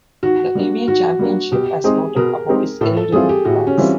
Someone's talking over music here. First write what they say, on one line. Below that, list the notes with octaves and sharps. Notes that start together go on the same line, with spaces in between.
The Evian Championship, as noted above, is held in France.
D#3 F#4
G3 A#3 D4
D#3 F#4
G3 A#3 D4
B2 G4
G#3 C4 D#4 G4 G#4
B2 A#4
G#3 C4 D#4 G4
A2 A4
A4
E3 G3 C4 F4 G#4
G4
A2 F#4
C#4
E3 G3 C4 F4